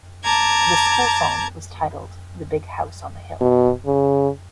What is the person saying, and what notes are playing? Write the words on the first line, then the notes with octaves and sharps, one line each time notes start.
The school song was titled "The Big House on the Hill".
A5 A#5 D6 G#6
B2
C#3